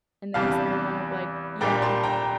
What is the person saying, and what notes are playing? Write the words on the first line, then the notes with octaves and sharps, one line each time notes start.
and that experiment of like yeah, you
E2 C3 G3 D4 F5 A5
A#2 G3 D4 G5 A#5
A5 C6
G5 A#5